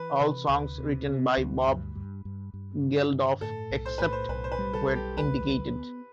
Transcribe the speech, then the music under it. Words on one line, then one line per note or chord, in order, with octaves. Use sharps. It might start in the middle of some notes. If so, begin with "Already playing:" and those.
All songs written by Bob Geldof except where indicated.
Already playing: E3 B4
C3
D2
C3
C3
D2
G2
G2
G2
G2
D3
G2
A2 A4
B1
C5
A2 B4
C5
B1 B4
C5
B4
G3
A4
B1
G4
D2 B4
G3
B3